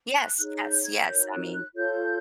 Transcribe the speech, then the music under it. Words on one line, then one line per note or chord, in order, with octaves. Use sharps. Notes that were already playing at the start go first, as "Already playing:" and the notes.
Yes, yes, yes, I mean
F#6
D#4 G#4 C#5 F#6
F#6
G6
G#6
G#6
D#4 F#4 A#4 C#5 G6
F#6
F#6
F4 A4 C#5 G6